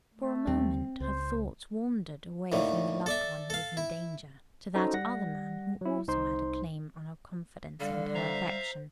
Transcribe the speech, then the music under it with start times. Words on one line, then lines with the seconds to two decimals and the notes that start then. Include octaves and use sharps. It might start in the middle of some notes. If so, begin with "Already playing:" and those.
For a moment her thoughts wandered away from the loved one who was in danger, to that other man who also had a claim on her confidence and her affection.
0.14 A3
0.47 D#2 G3 C4
1.00 C#2 C5
2.52 D#2 A2 D3
3.06 A4 D5 E5
3.50 A4 F5
3.77 E4
4.75 C#4 D#4 F#4 A4 C5
4.93 G3 F#5 A#6
5.81 F#3 E4
6.08 C2 D#4 C5 C6
7.80 D3 G3 F5
8.14 C5 E5 F5 A#5